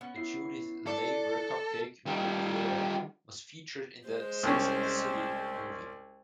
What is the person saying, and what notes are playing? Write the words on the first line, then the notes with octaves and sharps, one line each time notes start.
A Judith Leiber cupcake minaudiere was featured in the "Sex and the City" movie.
B3 C#4
E4 C7
D4 A4 D5
D#3 G3
G#3 C5
C2 C#4